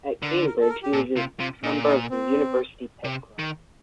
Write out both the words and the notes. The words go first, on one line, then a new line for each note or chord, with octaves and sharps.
At Cambridge, he was a member of the University Pitt Club.
D3 A#4
A#4
A4
A#4
G4
A#2 A4
C3 F4
C3 F4
A#2 D#4
D#4
C4
C3
D#3